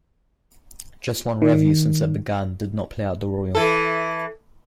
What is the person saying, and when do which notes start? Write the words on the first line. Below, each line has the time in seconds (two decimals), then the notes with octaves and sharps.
Just one revue since it began did not play at the Royal.
1.42 D#3
3.55 E3 A4